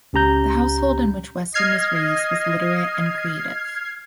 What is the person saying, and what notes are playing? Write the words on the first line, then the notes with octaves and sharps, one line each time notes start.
The household in which Weston was raised was literate and creative.
C#2 C#4 G4 A#5 G6
D#5 F6 G#6 C7